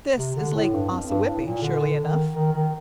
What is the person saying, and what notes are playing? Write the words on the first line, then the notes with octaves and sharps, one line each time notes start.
This is Lake Ossawippi surely enough.
C3
D3
A2
G2
F2
G2
A2
A#2
D3
D#3
D#3
D#3